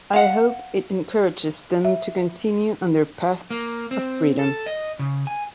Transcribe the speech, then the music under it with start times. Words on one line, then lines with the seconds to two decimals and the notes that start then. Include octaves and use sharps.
I hope it encourages them to continue on their path of freedom.
0.14 F5 F#5
1.85 E5
3.51 A#3
3.91 C4
4.39 A4
4.66 D#5
4.99 C#3
5.27 G#5